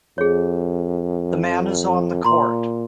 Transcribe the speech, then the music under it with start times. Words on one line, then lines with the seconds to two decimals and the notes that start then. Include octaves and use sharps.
The man is on the Court.
0.18 F2 G#4 C#5
2.24 A#2 A#5 C6